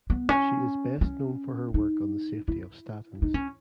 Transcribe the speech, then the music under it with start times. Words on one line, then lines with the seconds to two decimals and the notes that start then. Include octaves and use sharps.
She is best known for her work on the safety of statins.
0.10 B3
0.29 C#4
1.01 C#4
1.74 D#4
2.48 E4
3.22 D#4
3.34 C#4